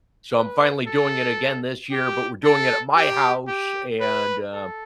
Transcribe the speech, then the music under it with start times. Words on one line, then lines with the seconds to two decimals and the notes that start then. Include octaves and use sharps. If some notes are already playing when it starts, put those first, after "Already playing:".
So, I'm finally doing it again this year, but we're doing it at my house and, uh,
0.34 B4
0.87 A4
1.92 G4
2.44 A4
2.96 G4
3.47 G4
4.00 B4
4.53 A4